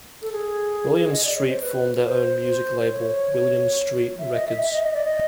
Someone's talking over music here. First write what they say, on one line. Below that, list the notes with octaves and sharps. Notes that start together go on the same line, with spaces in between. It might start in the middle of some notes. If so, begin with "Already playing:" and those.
Williams Street formed their own music label, Williams Street Records.
A4
G#4
D#5
D5
C#5
C5
B4
C5
C5
C#5
E5
D#5
E5
E5
D#5
D#5
D5
D#5